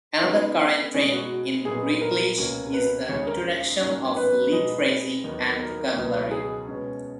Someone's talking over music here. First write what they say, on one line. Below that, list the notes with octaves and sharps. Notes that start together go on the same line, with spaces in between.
Another current trend in Greeklish is the introduction of Leet phrasing and vocabulary.
C#3 G#3 B3 D#4
B2 G#3 B3 C#4 D#4
F#4
A#2 F#3 B3 D#4 G#4
A#4
C#2 B2 A#3 C#4
B4
D#2 C#3 G#3 C#5
A#4
G#2 F#3 A#3 C#4
B4
B2 G#3 B3 D#4
D#2 D#3 F#3 B3 D#4
A#4
C#2 B2 F#3 B3 D#4
G#4
B2 G#3 C#4